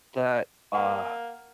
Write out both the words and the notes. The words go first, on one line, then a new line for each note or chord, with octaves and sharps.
that, uh,
A#3 F#5